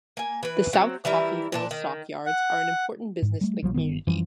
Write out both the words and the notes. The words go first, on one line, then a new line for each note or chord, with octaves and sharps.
The South Coffeyville Stockyards are an important business in the community.
A#3 G#5
E3 B4
F#3 C4
E3 G3 E4 A#4
A#2 D4 A5
D#3
F#5
G#2
G3 A3
A#1 F3 F#3
G1 F2 D#3 B3
F#2 E3 F3 G3